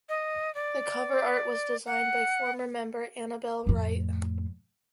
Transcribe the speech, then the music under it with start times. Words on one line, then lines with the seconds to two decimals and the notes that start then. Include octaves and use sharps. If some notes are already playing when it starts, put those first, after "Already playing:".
The cover art was designed by former member Annabel Wright.
0.09 D#5
0.55 D5
1.86 F#5
3.67 F2 A2